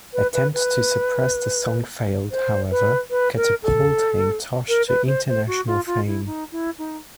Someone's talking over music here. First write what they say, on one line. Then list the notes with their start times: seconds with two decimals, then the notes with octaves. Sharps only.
Attempts to suppress the song failed, however, catapulting Tosh to international fame.
0.13 B4
0.33 B4
0.54 B4
2.31 C5
2.70 B4
3.10 B4
3.36 A#4
3.63 A4
4.68 A#4
4.88 B4
5.07 C5
5.27 C5
5.47 F#4
5.67 F4
5.86 F4
6.07 E4
6.26 D#4
6.52 E4
6.78 D#4